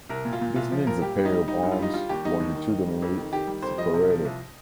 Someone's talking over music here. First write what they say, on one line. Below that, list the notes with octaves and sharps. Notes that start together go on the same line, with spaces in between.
This needs a pair of arms longitudinally separated.
C2 A#4
A#2
F4
A#2
C2 F4
F3
A#2 A#4
G3 G4
G3
D#4
G3
G3 D#4
G2
F4
G3 D#4
G3 F4
D#2 G4
G3 D#4
D#2
D#3
D#3
G3
F2
D#3
D#3 G4
G3
F2 C5
F3 D#5
C3
F3
C2